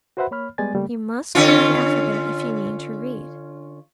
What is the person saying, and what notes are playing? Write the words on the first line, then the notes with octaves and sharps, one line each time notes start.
You must learn the alphabet if you mean to read.
F#4 B4 C5 E5 F#5 B5
A#3 C#5 B5 F6
G3 G#3 B3 D5 G#5 A6
C#3 G3 A3 A#3
D3 C#4 F4